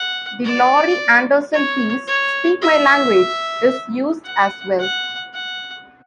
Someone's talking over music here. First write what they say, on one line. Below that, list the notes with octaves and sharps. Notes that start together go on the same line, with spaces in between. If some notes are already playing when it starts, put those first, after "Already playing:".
The Laurie Anderson piece "Speak My Language" is used as well.
Already playing: F#5
D5
C#5
C#5
E5
F#5
F#5
F#5